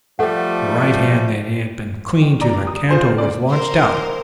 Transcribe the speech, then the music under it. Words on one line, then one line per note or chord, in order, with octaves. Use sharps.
The right hand that had been clinging to the cantle was launched out.
F3 G3 A3 A4 F#5
D#3
D5 A#5
G3 D#6
F4 C5 G#5
C#3 D5
A#4 C5